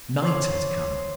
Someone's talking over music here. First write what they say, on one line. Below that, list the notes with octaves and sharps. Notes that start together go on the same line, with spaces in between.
Night had come.
C5 C#5 D6